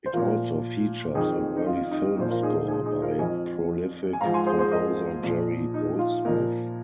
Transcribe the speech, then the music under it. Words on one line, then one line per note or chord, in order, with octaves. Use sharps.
It also features an early film score by prolific composer Jerry Goldsmith.
C5
A#2 F3 F4 A#4
F2 D#3 D#4 G#4
D#4
F4
D#4
A#2 F3 C5
F4 A#4
D#4 G#4
D#4 G#4
D#4 G#4
F4 A#4
F2 F3 D#5 G#5
G#5
G#2 F3 F5 A#5
G#5 C6
G#4 C5
G#4 C5
A#4 D#5
A#2 F3
D#4
F4
A#2 F3 A#4 D#5